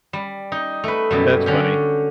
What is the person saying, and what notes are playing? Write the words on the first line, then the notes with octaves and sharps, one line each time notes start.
That's funny.
G3
D#4
A3 B4
F#2 B2 G3
D3 C#4 G4